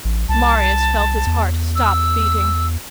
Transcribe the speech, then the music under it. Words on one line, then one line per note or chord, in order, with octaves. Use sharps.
Marius felt his heart stop beating.
A1
C2 A5
E2
E6